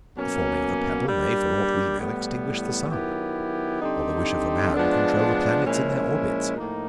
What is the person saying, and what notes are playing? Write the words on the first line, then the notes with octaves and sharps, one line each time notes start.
The falling of a pebble may, for aught we know, extinguish the sun; or the wish of a man control the planets in their orbits.
B2 F#3 A#3 C#4
G3 A#3 D4 G4
A2 E3 G3 B3
D#3 F#3 B3 E4 G4
D3 G3 C4 D#4 G4
F3 G#3 B3 D4
A#2 F3 G#3 C#4 E4
A2 F3 A#3 D#4